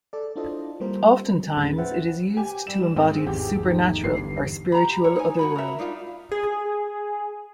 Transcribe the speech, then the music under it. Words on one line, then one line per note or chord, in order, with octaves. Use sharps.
Oftentimes it is used to embody the supernatural or spiritual other world.
A4 D5
D4 E4 F4 A4 C5 D#5
G3 A#3 C4 A#4 C5
F#3
D#2 A2 C#4 G#4 B5 A6
B4 C5 E5 F#5 G5
G4 G#5
G3 E7
G#2 C4 G#4
G#1 E2 G4
A3 D#4
G1 E2 G2 C7
G4 A#5 B5
A#4 C#5
D#4 G#5
F#4 C#5 B5
A#4 E5
D4 D#4 F4
G#4